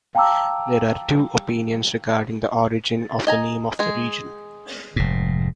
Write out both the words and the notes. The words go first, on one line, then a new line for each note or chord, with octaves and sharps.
There are two opinions regarding the origin of the name of the region.
F5 G5 A5 A#5 D6 E6
D#5 G#5 A#5
G#3 G#4
F1 G#2